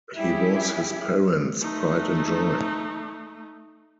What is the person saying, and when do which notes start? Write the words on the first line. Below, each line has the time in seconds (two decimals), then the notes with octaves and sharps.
He was his parents' pride and joy.
0.16 G3 C#4 E4 G4 G#4
1.61 A3 D#4